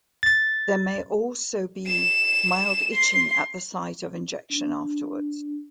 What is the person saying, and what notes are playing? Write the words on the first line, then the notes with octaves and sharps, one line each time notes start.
There may also be mild itching at the site of injection afterwards.
A6
E7
C6
D4